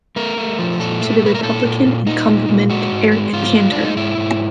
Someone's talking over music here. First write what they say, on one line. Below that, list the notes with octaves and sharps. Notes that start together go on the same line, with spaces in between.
She lost to the Republican incumbent, Eric Cantor.
A3 A#4
A3
F3
A#2 A4
A3
A#2 B4
A#4
A#2 A4
A#2
A#2
A#2 D#4
A#2
A#2
G#3 F#4
G#2
G#3
G#2 F4
G#3
G#3 D4
D#4
G#2 E4
G#2